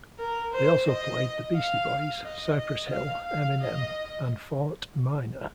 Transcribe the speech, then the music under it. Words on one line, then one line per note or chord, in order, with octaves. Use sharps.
They also played the Beastie Boys, Cypress Hill, Eminem and Fort Minor.
A#4
C5
D#5
F5
D#5
D#5
F5
F5
D#5